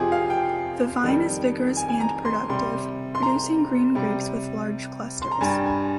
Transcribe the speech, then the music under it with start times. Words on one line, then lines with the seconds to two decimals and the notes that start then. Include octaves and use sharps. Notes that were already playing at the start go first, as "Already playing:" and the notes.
The vine is vigorous and productive, producing green grapes with large clusters.
Already playing: F2 C3 F3 F4 G4 G#4
0.12 F5
0.30 G5
1.04 F2 D#3 G3
1.77 G#5
1.88 G#5
2.01 A#5
2.25 C6
2.49 C3 G3 C6
3.15 C6
3.23 A#5
3.95 C3 G3
5.22 C6
5.32 A#5
5.41 G2 G3 G#5
5.66 G#5